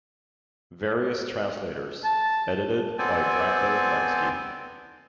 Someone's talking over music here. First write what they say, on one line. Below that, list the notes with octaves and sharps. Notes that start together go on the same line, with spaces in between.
Various translators; edited by Branko Lenski.
A5
B3 C4 A4 C5 D5 G#5